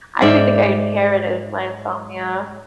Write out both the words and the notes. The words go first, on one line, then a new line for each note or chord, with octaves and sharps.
I actually think I inherited my insomnia.
G#2 D5 E5 G5